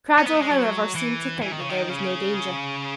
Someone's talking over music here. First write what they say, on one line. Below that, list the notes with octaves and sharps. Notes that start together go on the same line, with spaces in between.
Cradell, however, seemed to think that there was no danger.
C#4
B3
A3
G#3
F#3
E3
E3
D#3
C#3
D#3
C#3